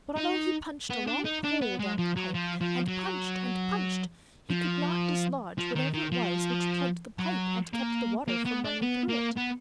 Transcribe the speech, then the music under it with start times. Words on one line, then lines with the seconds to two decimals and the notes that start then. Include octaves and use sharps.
But although he punched a long pole down the pipe, and punched and punched, he could not dislodge whatever it was which plugged the pipe and kept the water from running through it.
0.17 D#4
0.90 B3
1.07 D4
1.25 D#4
1.44 D4
1.61 B3
1.80 G#3
1.98 F3
2.16 F#3
2.34 F3
2.61 F3
2.88 F#3
4.50 F3
5.58 F3
5.76 D#3
5.94 D#3
6.12 F3
7.19 F#3
7.74 A#3
8.28 A#3
8.45 B3
8.64 D4
8.82 B3
9.08 A#3
9.36 B3